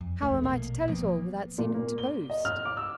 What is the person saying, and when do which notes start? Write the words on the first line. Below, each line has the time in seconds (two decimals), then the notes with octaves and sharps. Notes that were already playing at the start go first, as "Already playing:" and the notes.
How am I to tell it all without seeming to boast.
0.01 F2
0.22 D1 A#1 E2 A3
0.43 A#1 B2 A#3
0.89 A2 F3 A#3 B3
1.58 A#2
1.74 A#3
1.98 G7
2.30 D#5
2.45 F6
2.65 D6
2.77 E6